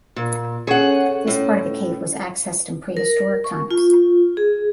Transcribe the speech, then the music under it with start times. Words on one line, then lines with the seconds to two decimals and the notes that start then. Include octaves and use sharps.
This part of the cave was accessed in prehistoric times.
0.16 A#2
0.67 C#4 G#4 A4 C#5 F#5
1.27 A2
2.97 A#4
3.44 C#6
3.71 F4
4.37 G#4